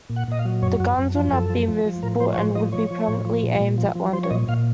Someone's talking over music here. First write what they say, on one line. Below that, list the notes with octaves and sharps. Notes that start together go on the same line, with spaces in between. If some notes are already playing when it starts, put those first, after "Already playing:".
The guns would not be movable and would be permanently aimed at London.
A#2
F#5
A#2 D#5
F5
F#3
F#2 C#5
F#2 F#4
F#2
F3 F4
F#2 A4
F3
F3
F3
A2 A#4
F3 C5
C#5
A2 C5
F3 D#5
F3 C#5
F3
A2
F3
A#2
A#2
F3
F3
F3 C5
C#5
A#2 D#5
A#2 F5